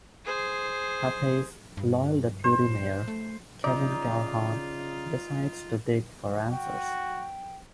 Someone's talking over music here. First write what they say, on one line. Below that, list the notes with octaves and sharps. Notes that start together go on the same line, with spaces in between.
Pappas' loyal deputy mayor, Kevin Calhoun, decides to dig for answers.
G#4 C5
G2
C5
A3
C#3 D#4 F4 D5
F#4 G5